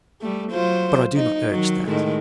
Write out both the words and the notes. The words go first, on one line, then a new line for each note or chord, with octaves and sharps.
But I do not urge that.
G3 A3
F#3 F4 C5
D#4
D#3 F#3
A2 D#3 G#3